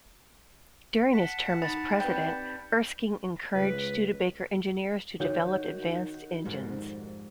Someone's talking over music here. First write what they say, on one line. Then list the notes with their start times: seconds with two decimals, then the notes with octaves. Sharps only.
During his term as president, Erskine encouraged Studebaker engineers to develop advanced engines.
1.13 F#5 A5 B6
1.62 D#4 B5 A6
2.00 G3 C4 B4 G6
3.54 C#2 B4
5.20 D#3 F#4 C#5 G6
6.45 F2 G#2 G3